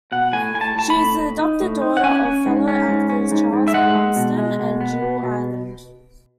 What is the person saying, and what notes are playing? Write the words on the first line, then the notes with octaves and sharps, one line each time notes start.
She is the adopted daughter of fellow actors Charles Bronson and Jill Ireland.
B2 F#5
A2 G#5
A2 G#5
A5
A2 A5
B5
A2
A2
D#4
A2
D#4
F#5
C#4 G#5
C#4
G#2
C#4
G#2
C#4
G#2
G#2
E5
G#3 F#5
G#3
B2
G#3
B2
B3
B2
B2